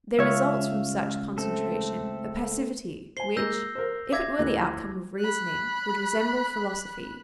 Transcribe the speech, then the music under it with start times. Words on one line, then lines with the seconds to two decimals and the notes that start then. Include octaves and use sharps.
There results from such concentration a passivity, which, if it were the outcome of reasoning, would resemble philosophy.
0.19 C#2 C#5 E5 F5
1.38 A3 C4 A4
3.17 C5 G#5 C7 G7
3.37 G#3 A#3 E6 G6 A#6
3.75 A#4 C5
4.12 E5 D6 G#6 A#6
4.38 D2 E3 F#6
5.19 B5 F#6